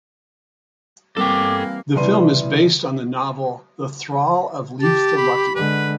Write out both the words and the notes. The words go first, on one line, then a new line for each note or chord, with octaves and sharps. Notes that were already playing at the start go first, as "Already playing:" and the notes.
The film is based on the novel "The Thrall of Leif the Lucky".
E3 G3 A#3 C4 A4 G5 D6
C2 E3 B4 D5 C6 D#7
G4 A5
B5
D3 G#3 B4